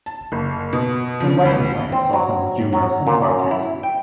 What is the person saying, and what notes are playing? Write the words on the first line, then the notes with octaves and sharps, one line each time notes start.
The writing style is often humorous and sarcastic.
A5
F#1
B2
F3
C#2
C4
F#3
F#3
A#2
F#2
E4
G5